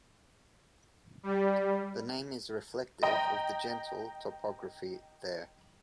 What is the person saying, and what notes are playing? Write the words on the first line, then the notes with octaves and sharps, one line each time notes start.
The name is reflective of the gentle topography there.
G3
D#5 G5 A#5